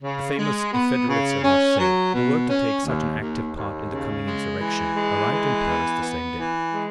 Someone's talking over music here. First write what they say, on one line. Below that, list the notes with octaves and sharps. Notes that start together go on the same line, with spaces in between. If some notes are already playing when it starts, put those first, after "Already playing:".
The famous federates of Marseilles, who were to take such an active part in the coming insurrection, arrived in Paris the same day.
C#3
G#3
B3
C#3
C#4
F#3
B2
C#4
D#2
D#2
D#2
C#3
G#3
E3
G#3
E3
B3
B3
E3
G#3